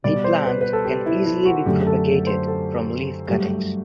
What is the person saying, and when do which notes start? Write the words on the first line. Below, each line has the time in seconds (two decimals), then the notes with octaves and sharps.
The plant can be easily propagated from leaf cuttings.
0.04 B2 G3 D5
0.24 C5
0.45 B4
0.61 B4
0.73 A4
0.85 G4
1.06 E4
1.25 E4
1.45 F#4
1.66 F#2 D3 A3 G4
1.87 A4
2.27 C5
2.47 A4
3.28 G2 F#3 A3 G4
3.48 G4